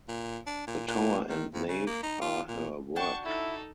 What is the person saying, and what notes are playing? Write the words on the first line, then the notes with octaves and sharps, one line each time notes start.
The tower and nave are her work.
A#2
D4
A#2
A#2
D#3
F2
C#3
A#3
D#4
F4
A#2
D4 F#4 G5 A5 C#6
D#4 E4 A4